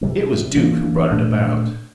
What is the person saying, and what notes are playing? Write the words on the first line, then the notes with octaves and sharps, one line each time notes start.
It was Duke who brought it about.
C3 G3 C4
E3 A#3 D4
A#2 A3 D4